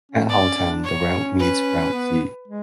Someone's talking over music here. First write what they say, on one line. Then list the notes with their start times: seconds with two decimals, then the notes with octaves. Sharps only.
At Halltown, the Route meets Route Z.
0.11 C#4
0.29 B3 D5
0.43 C#4
0.56 C#4
0.70 D4
0.84 C#5
1.11 C#4
1.39 B4
1.93 B3
2.48 G#3